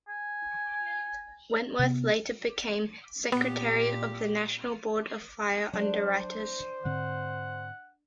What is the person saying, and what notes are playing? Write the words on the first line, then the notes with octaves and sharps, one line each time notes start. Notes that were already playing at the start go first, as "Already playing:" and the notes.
Wentworth later became secretary of the National Board of Fire Underwriters.
G#5
C3 B3
A#2 B3 G4
F#3 D4 C5
G#2 D3 C4 F#5